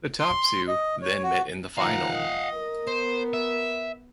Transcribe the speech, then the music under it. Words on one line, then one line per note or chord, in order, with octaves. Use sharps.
The top two then met in the final.
C6
D#5
C#5
F#4
D#3 F3 F5 F#5 A#5
D#5
A#4
B3 C5
E5